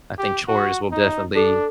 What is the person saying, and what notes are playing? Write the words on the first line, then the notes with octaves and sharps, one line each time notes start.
I think chores will definitely
G4
F#4
D#4
D4 A4